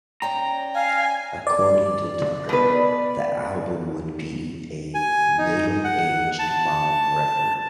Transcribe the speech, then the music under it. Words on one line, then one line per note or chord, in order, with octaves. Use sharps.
According to Tucker, the album would be a "middle-aged mom record".
C#4 D5 G5 A#5
F5 G#5
D5
B2 B4
G#5
D#4
F#5
A5